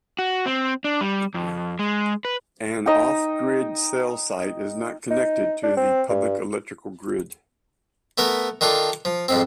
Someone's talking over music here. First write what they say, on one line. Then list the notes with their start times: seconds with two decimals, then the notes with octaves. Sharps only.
An off-grid cell site is not connected to the public electrical grid.
0.19 F#4
0.46 C4
0.84 D4
1.01 G3
1.34 F2
1.79 G#3
2.25 B4
2.86 D#4 D#5 G5
5.11 D#4
5.63 D4
5.77 C4
6.10 G2
8.18 A3 B3 A#4
8.61 D#3 D4 F4 A4
9.05 F3
9.28 F2 G#2 C4